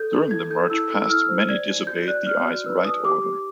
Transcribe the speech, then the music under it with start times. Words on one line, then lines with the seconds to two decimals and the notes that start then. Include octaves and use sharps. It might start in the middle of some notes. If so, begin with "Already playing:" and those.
During the march-past, many disobeyed the "eyes right" order.
Already playing: A4 G6
0.11 A4
0.31 E4 G#6
0.50 A4 G6
0.70 E4 E6
0.90 A4
1.02 E6
1.10 E4 F6
1.29 C5
1.49 D5 G#6
1.68 D#4
1.87 F#4 G6
2.02 G6
2.08 D5 F#6
2.26 D5 F6
2.46 F#4
2.66 B4 E6
2.85 D#4 D#6
3.04 G4 D6
3.24 G4